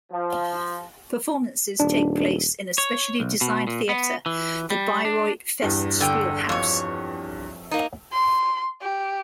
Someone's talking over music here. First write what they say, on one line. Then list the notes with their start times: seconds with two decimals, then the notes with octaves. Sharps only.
Performances take place in a specially designed theatre, the Bayreuth Festspielhaus.
0.12 F3
1.80 D#1 D4
2.78 C#5
3.20 B1
3.41 B2
3.67 A#2
3.89 B3
4.26 E3
4.70 G3
5.05 D4
5.62 E2 G2
6.01 D3 G5
6.49 F2 C#5
7.71 A#3 D#4
8.13 C6
8.82 G4